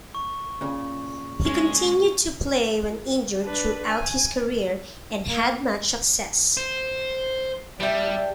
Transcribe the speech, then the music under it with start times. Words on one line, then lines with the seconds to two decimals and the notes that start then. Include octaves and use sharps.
He continued to play when injured throughout his career and had much success.
0.15 C#6
0.61 A#2 C#3
1.45 G#3 C#4
3.44 D4 B4
3.88 G#5
5.29 A#3
6.57 C5
7.80 G3 D4 G4 D5 E5